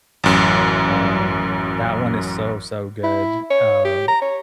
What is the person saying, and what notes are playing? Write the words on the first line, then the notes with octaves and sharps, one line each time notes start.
Um, that one is so, so good, uh,
A1 F#2
E4
C#5
G4
A#5
C#5